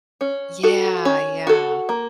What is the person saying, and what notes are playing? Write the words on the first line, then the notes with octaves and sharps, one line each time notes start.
Yeah, yeah.
C#4
F#4 A4
C#4
F#4 A4
A#3